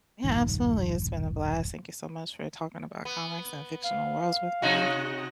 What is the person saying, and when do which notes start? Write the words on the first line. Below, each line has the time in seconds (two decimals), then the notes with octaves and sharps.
Yeah, absolutely, it's been a blast. Thank you so much for talking about comics and fictional worlds with me.
0.24 E1 A#1 G2 D#3
3.05 B3
3.85 F5
4.62 C3 D#4 F#4